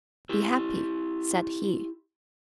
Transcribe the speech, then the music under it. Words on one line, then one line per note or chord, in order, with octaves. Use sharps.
"Be happy!" said he.
E4 G4